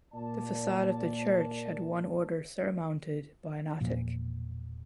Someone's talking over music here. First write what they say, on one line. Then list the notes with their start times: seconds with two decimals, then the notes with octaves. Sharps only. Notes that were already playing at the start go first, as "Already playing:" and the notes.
The facade of the church had one order surmounted by an attic.
0.14 A#2 D5 A5
3.80 E1 A#2 F3